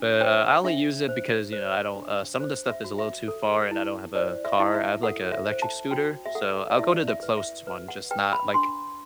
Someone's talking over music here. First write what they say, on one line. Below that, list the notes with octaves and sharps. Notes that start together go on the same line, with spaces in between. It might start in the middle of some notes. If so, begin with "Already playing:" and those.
but, uh, I only use it because, you know, I don't uh, some of the stuff is a little too far and I don't have a car, I have like a electric scooter, so, I'll go to the closest one, just not like
Already playing: D4
C5 G5
D4 E5
C5
C5
D4
C5
E5
F#4
E5
A4
E4
C5 D5
E5
E4
E5
A4 F#5
E5
C5
A5
F#4 G5
E5
A4 F#5
D5
E4 E5
E5
B4
E5
B4
F#5
B4 G5
B5
D4 C6